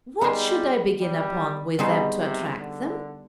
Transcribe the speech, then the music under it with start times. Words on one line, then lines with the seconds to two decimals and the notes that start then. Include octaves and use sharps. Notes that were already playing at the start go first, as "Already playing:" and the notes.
What should I begin upon with them to attract them?
0.21 G3 B3 D#4 G#4 C5
1.00 G3
1.79 B2 G3 B3 D#4 G#4 C5
2.19 C3
2.59 D3